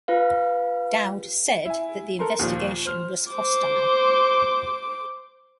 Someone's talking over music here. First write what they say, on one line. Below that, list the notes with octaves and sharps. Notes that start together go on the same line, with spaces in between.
Dowd said that the investigation was "hostile".
F4 B4 F5
E4 G#5
A4 A#4 C6
D#2 A#2 F3
C5 F6
C5 D6